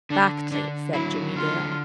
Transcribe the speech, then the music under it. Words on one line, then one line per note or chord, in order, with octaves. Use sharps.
"Exactly," said Jimmie Dale.
D3 D4
D3 D4
F#3 E4
D3 F4